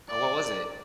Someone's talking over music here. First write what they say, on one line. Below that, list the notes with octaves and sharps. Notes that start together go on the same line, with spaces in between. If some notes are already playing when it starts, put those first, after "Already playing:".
Oh, what was it?
D5